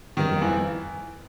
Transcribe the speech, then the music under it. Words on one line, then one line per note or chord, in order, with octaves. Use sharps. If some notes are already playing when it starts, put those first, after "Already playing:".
They are.
D#3
E3